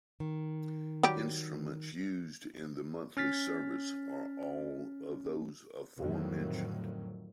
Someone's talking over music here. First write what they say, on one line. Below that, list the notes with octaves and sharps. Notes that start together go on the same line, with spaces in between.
Instruments used in the monthly service are all of those aforementioned.
D#3
F#3 G3 G4
C#4 F6 A6 B6
F2 A2 D3 D#3 F#3